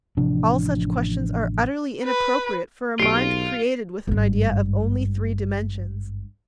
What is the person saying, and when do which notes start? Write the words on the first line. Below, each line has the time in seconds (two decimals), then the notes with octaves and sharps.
All such questions are utterly inappropriate for a mind created with an idea of only three dimensions.
0.17 A1 C3 F3 D4
2.04 B4
3.00 B1 D#4 F4 G4 C7 D7
4.07 G#1 G2